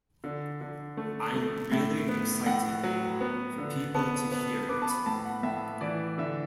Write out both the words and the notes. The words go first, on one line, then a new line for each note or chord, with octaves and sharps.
I'm really excited for people to hear it.
D3
D3
A3
A3
A2 E5
B3
A2 F#5
F#3
B3
D3
B3 A5
B3
B3 D6
A5
B5
A2 A5
F#5
A2 E5
E3 D5
D3 E5